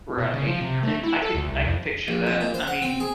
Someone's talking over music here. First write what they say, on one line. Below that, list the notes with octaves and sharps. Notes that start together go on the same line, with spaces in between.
Right, and I could I could picture that. I mean,
B2
C#3
F3
C3
A3
E4
A4
D2
C2
F2
A#1
F2
A#2
C5
F#5
C4
G#4